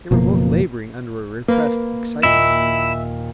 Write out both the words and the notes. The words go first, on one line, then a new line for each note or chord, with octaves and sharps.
They were both laboring under a repressed excitement.
F#1 B2 F3 A#3
A#3 B4
D#2 A#2 E4 D#5 E5